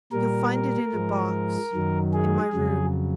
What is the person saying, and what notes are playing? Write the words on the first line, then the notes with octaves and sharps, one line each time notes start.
You'll find it in a box--in my room.
A#2 G3 A#4
A#4
G#2 F3 G#3
F#2 D#3 F#3
G#4
F2 C#3 F#3